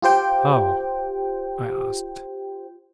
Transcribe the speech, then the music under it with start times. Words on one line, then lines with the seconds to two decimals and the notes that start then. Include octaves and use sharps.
"How?" I asked.
0.02 F4 G4 C5 G5